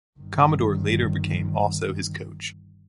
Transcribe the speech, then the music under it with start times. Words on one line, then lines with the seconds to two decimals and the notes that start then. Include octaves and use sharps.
Commodore later became also his coach.
0.19 G1 D#3